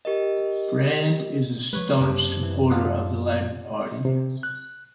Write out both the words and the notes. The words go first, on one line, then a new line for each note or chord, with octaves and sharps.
Brand is a staunch supporter of the Labour Party.
G4 A#4 D#5
F3 G#3 B4 C#5
F#2 C3 A#3 C#4 D4
E3
F4 A4 F#5
C3
F#6